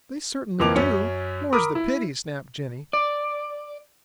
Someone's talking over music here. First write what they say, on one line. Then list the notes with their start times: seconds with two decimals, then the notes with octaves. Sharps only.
"They certainly do, more's the pity!" snapped Jenny.
0.60 F2 E3 A#3 D6 F7
0.75 F#2 C#4 C#7
1.53 A#4 B5 D6 D#6
1.75 E4
2.93 D5